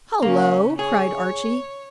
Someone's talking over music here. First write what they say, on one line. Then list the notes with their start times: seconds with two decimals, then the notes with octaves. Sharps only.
"Hullo!" cried Archy.
0.22 C#3 A#3 C#4
0.79 G#4 C#5